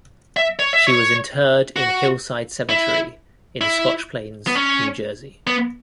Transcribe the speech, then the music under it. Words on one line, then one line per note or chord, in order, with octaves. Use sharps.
She was interred in Hillside Cemetery in Scotch Plains, New Jersey.
E5
C#5
E5
C#5
F#4
E4
E4
B3
C#4
B3